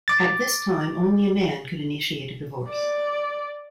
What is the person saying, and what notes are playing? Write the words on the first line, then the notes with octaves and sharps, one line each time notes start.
At this time only a man could initiate a divorce.
D6 A6
D5